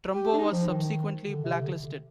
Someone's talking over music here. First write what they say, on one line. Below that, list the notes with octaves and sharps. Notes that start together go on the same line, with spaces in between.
Trumbo was subsequently blacklisted.
G4
D4
D#4
F3
D#3
D3
C3
D3
D3